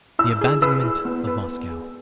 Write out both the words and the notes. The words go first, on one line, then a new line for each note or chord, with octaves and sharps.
"The abandonment of Moscow."
E4 E6
G#4
B4 E6
E4
B3
B4
B3
G#4